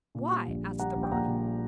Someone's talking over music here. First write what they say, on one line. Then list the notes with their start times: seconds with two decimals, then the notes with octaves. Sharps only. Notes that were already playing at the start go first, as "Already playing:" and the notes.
'Why?' asked the ranee.
0.15 A#2
0.31 G3
0.47 A#1
0.64 G3
0.79 G3 F#5 A#5
0.96 A#1
1.03 G5
1.12 A#1 F#5 A#5
1.28 A#2